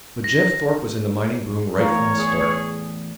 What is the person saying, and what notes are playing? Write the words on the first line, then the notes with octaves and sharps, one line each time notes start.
But Jeff Thorpe was in the mining boom right from the start.
A#6
E2 A2 A#4 C#5 F5
G#4